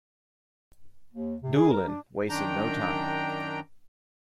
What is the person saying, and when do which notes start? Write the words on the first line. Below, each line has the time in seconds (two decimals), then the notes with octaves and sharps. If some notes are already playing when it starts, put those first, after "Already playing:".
Doolin wasted no time.
1.11 D#2
1.43 C3
1.56 G#4
1.71 A#4
1.87 D4
2.29 F#2 D#3 D4 G5 A#5